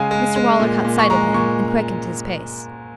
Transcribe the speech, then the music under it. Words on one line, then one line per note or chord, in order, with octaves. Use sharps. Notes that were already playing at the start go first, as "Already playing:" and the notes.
Mr Waller caught sight of him and quickened his pace.
Already playing: C#3 G#3 F5 G#5
G#3
G#3
A#2
A#2
C#6
G#3 A#5
A#2 C#6